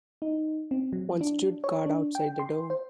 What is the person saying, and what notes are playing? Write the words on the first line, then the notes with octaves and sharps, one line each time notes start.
One stood guard outside the door.
D#4
C4
F#3
D4
C#5
D4
G5
C6
C5